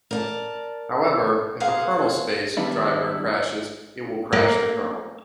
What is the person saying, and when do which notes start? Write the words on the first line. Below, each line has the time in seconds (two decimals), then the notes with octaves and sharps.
However, if a kernel-space driver crashes it will crash the kernel.
0.11 A#4 D5 A5
1.60 G#4 A#4 C5 F5 F#5
2.57 D#3 G3 B3 D4 E4
4.33 A#3